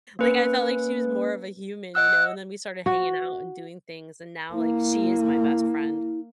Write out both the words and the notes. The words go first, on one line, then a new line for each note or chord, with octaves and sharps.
Like I felt like she was more of a human, you know? And then we started hanging out and doing things, and now like she is my best friend.
A#3 C#4 B4
D#5 F#5 E6 F#6
F#4
A#3 E4